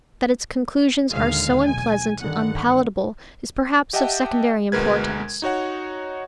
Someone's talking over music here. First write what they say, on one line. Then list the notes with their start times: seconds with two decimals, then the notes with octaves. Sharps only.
That its conclusions are so unpleasant and unpalatable is perhaps of secondary importance.
1.10 D#2 A#2 D3 G#3 F5
1.66 B1 G#5
2.20 G2 D3 D#3 F#5
3.93 G4 D#5 E5 F#5 G5 A5
4.72 D2 B2 G#3 A#4 B4 G#6
5.42 D#4 F#4 C#5 F#5